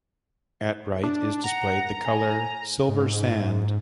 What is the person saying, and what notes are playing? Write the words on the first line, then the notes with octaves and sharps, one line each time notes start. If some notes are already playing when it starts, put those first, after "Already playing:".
At right is displayed the color silver sand.
D4
F#5 A#5
G#5
G#2